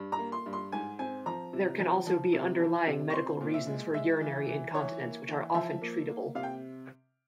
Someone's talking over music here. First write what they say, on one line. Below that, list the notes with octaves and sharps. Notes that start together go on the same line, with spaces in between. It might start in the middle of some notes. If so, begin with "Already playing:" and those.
There can also be underlying medical reasons for urinary incontinence which are often treatable.
Already playing: G2
A#5
A#3
C6
G2
C6
G#2 G#5
C4 G#5
F3 A#5
C3
F3
F3
C3
F3
C3
C#6
C4 C6
A#2
E5
G#3
G#3 E5
E3
E3
E3 C#5
A#3
E3
F3 E5
A#3
A#3
C3 F5
G5